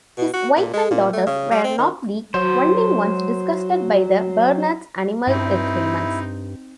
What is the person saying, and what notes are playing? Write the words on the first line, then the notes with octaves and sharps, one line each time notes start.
His wife and daughters were not the only ones disgusted by Bernard's animal experiments.
B2
F#4
A#2
G#3
A#2
A3
C#3
G3
C4
D#3
F#3 C5
G2 C4 D#4 E4